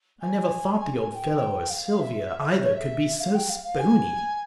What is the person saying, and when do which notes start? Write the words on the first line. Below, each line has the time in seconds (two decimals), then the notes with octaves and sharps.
I never thought the Old Fellow or Sylvia either could be so spooney.
0.21 G#5
1.10 G#5
1.15 G5
1.70 F5
2.00 E5
2.60 C#5
2.74 E5
3.19 F5
3.35 G5
3.49 F5
3.64 F5
3.79 G#5